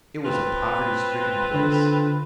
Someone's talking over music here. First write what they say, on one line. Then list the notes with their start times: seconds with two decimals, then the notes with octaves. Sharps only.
It was a poverty stricken place.
0.25 C4 F4 B4
1.54 D3